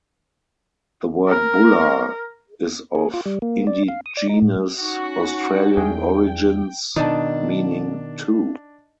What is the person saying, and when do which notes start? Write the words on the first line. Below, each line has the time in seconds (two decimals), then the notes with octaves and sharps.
The word Bulla is of indigenous Australian origins meaning 'two'.
1.28 A#4
2.95 G#4
3.14 F4
3.26 G3
3.42 A#3
3.67 D5
3.88 F5
4.06 D#6
4.17 D5
4.29 D#4
4.42 A2
4.79 C#4 D#4 F#4 F#5
5.77 E2 G#4 G5
6.96 B2 D#3 D4 D#4 A5